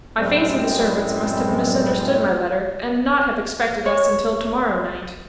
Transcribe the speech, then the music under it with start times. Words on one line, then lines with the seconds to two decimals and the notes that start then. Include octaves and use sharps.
"I fancy the servants must have misunderstood my letter, and not have expected us until to-morrow night."
0.18 F#2 A2 G3 G#3 C4
3.86 C#5